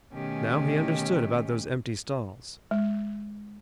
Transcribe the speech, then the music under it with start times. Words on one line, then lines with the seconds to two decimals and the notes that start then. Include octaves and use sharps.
Now he understood about those empty stalls.
0.13 B2 D#3 A3 C#4 G4 G#5
2.71 G#3